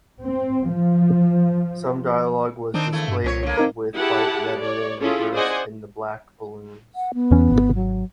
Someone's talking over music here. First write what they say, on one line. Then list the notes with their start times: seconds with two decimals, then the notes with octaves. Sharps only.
Some dialogue was displayed with white lettering reversed into black balloons.
0.23 C4
0.70 F3
2.74 D#3 C4 D4 D#4
2.92 E2 A3 E4
3.08 G2
3.24 C2 F2 C#4 C#5
3.43 D3 A#3 C#5
3.58 C4 D#4 A#4
3.95 E4 G4 G#4 F#5 A5
4.58 C#5 D5
5.00 C#4 E4 F4 G#4 A4
5.33 G#4 C5 D5 D#5 F#5 G#5
6.96 F#5
7.14 B3
7.31 E2 E3 C#4
7.51 G#1
7.75 F#3